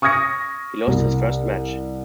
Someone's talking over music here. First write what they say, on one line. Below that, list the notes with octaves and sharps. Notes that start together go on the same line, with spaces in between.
He lost his first match.
C#6 D#6 F6 G#6 A#6 C#7
C2